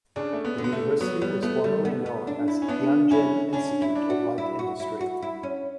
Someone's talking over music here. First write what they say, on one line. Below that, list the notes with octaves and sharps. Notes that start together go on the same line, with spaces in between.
The university was formerly known as Tianjin Institute of Light Industry.
C#3 D4
A3
B3
D3
B3
A3
F#3 B3
G3 B3
A3 B3
G3 A3
B3
B3
D4
E4
C#4
B3 D4
C#4 E4
C#4 D4
E4
D4
F#4
E4
F#4
E4
F#4
E4
C#4